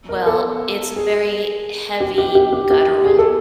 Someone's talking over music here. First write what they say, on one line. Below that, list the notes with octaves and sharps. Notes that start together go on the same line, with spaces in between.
Well, it's very heavy, guttural,
A#4
A4
G#4
G4
G4
G4
G4
G4
G#4
A4